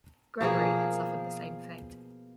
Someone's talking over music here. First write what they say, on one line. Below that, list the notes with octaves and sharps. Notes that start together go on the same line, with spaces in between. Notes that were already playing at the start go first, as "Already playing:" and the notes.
"Gregory" had suffered the same fate.
B2 F3 A#3 G#4